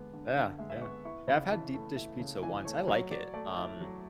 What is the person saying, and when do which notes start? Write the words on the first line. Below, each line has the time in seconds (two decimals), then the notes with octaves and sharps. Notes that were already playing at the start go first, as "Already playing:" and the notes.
Yeah, yeah, yeah, I've had deep dish pizza once, I like it. Um,
Already playing: D3 G#3 B3
0.14 D3
0.36 D3
0.59 G#3 E5
0.70 E5
0.81 B3 C#6
1.05 E4 C#6
1.28 C#3 B5
1.51 E3 A5
1.74 A3
1.96 E4
2.20 C#3
2.42 E3 G#5
2.65 A3 C#5
2.88 F#3 C#5
3.11 F#3 D5
3.34 A3 D5
3.58 E4
3.81 F#3